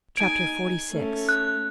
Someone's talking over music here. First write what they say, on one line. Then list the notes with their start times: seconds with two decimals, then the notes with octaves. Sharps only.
Chapter XLVI.
0.17 D#4 G#5 D7
0.90 A3 C#4
1.29 F#6